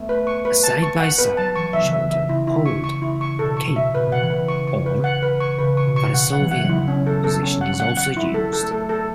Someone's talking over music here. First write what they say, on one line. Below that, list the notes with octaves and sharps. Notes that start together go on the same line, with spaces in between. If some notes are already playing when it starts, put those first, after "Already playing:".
A "side by side", "shoulder hold", "cape", or varsouviana position is also used.
Already playing: A3 B3
B4
C#6
B4
A5
C#6
F#5
B3 B4
F#3 A5
E3 C#6
E3 E5
C#3
E3 E5
E5
C#3 E4
E4
C#6
C#6
E4
C#6
B2 A4
C#6
B2
E5
B2 B4
B2
C#3 F#5
E3
B4
C#6
C#6
B4
F#5
B4
C#6
C#3 B4
C#6
B2
C#6
C#3 F#5
F#5
E3 F#3
F#5
F#3 E4
B3 C#4
A4
B3 A4
C#4
F#5
F#5
F#5
E4
F#3 A4
A4
A3
A4
B3 A4